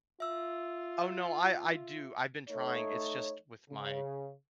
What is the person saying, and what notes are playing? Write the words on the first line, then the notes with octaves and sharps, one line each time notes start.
Oh, no, I I do, I've been trying, it's just with my
F4 E5 E6
A3 D#4 C#5
C#3